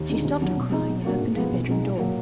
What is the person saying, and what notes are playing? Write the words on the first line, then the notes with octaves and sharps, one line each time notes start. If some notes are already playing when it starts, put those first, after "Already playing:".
She stopped her crying, and opened her bedroom door.
Already playing: D#2
D3 G#3 D#4
D#2
D3 F#3
B2
G#3 D#4
B2
A#3 D4 F#4 A#4
G#2
F3 G#3 B3
B1
B2 G#3 D#4
A#2
F#3 A#3